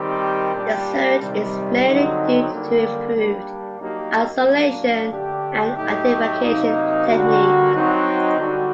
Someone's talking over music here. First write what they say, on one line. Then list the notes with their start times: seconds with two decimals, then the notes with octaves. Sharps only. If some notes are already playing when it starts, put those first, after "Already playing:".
The surge is mainly due to improved isolation and identification technique.
Already playing: D#3 G3 C4 G4
0.54 A#2 G3 D4 G4
1.19 C3 D#3 G3
1.85 D3 F#3 C4 D#4 F#4
2.50 D3 G3 A#3 D4
3.15 G3 A#3 D4
3.81 F#3 A#3 D#4 G4
4.46 A#2 F#3 A#3 D4
5.11 D3 A3 D4 G4
5.76 A2 F#3 A3 D#4 G4
6.42 C3 F#3 A#3 D#4
7.07 D3 G3 A#3 F#4
7.72 F#3 C4 D#4 F#4
8.38 D3 G3 D4 F#4